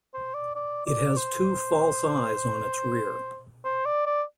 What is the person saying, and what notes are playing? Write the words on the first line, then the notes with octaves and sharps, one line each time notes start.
It has two "false eyes" on its rear.
C5
D5
D5
D5
C5
C5
D5
D5